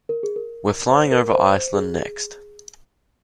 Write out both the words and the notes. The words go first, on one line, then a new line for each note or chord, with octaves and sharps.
We're flying over Iceland next.
A#4
G#4
A#4
C5
A#4
C5
G#4